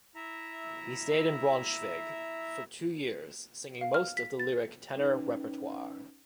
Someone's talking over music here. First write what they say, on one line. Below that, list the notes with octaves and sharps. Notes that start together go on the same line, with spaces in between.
He stayed in Braunschweig for two years, singing most of the lyric tenor repertoire.
E4 E5 A#5
F5
F6
B6
A6
C#4 D#4 B4